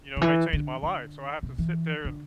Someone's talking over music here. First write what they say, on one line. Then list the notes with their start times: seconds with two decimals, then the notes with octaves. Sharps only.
you know, may change my life, so I have to sit there and
0.17 D3
0.21 E3
0.53 D3
0.83 D3
1.43 C3
1.58 E3
2.05 D3